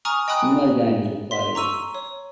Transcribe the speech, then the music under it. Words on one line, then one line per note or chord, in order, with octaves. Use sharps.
No games were played.
G#5 A#5 C#6 D#6 F6
D#5 G5 G#5 B5 D#6 F#6
C6 B6
A#5 C#6 E6 D#7
C#5